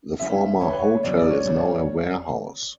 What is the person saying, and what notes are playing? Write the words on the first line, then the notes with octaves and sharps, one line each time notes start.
The former hotel is now a warehouse.
D2 D3 A3 C#4 E4 E5
D2 D3 G3 C#5
B4
C#5
E2 C#3 F#3 B3 D4 D5
D5
C#5
C#3 G3 D4